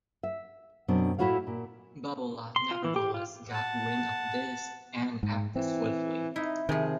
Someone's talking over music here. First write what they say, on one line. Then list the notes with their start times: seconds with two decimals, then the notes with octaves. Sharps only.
Babullah nevertheless got wind of this and acted swiftly.
0.23 E5
0.88 F#2 B2 C4 D4
1.19 A2 A3 E4 F#4 C#5 F5
1.47 A#2
2.56 C6
2.71 F4
2.85 E3
2.96 G4
3.14 F4
3.49 F#5 A5
5.23 G#2
5.56 E3 C4
6.36 D#4 E4
6.69 C3 D#3 F3 G#4